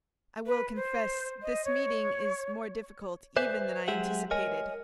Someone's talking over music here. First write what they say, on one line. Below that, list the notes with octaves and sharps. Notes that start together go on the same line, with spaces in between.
I will confess this meeting is more difficult even than I anticipated.
B4
C5
D#5
C#5
B4 C5 D5 E5 G#5
F#3 G#3 G4 G#4 E5 F#5
A#4 C#5 D#5 G#5